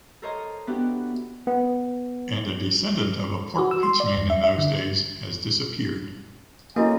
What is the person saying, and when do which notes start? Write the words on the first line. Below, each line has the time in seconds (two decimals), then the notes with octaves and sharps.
And a descendant of a pork pitchman in those days has disappeared.
0.22 A4 A#4 C5 C#5 D#5 A#5
0.67 B3 D4 E4 F#4 G4
1.47 B3
3.59 F#4
3.71 E6
3.83 C6
4.00 D5
4.17 E2
4.30 E5
4.44 E5
4.58 D3
6.76 A#3 C#4 E4 F#4 A4 D#5 G#5